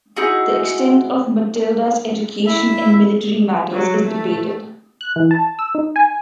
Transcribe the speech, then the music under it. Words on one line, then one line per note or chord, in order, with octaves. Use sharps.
The extent of Matilda's education in military matters is debated.
D#4 E4 F#4 G#4
E4 E5
F#3
A3
F#6
E3
A5
E6
D#4
G#5